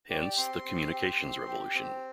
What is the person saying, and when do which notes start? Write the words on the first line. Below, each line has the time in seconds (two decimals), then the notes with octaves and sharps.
Hence: the "Communications Revolution".
0.10 G4 D5
0.37 C4 C6
0.65 C4
0.92 G4
1.20 C4
1.47 G4
1.75 C4